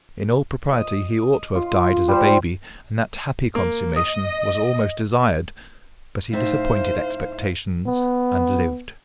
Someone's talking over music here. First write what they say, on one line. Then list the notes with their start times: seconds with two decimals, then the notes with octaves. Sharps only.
In all propriety he ought to have died as a baby, and that happy consummation was almost desired, but he disappointed expectations and lived.
0.73 D#5
1.55 F4
2.08 G3 C5
3.55 A#3
3.96 D#5 D#6
6.33 A2 D#4 C5 E5 F5
7.87 B3